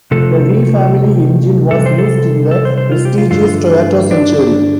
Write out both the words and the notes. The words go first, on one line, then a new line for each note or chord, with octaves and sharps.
The V family engine was used in the prestigious Toyota Century.
C3 F3 A3 A4
C3 G3 A4
C5
A4
A4
C5
C5
F4
G4
F4
G2 D3 A3 F4
D4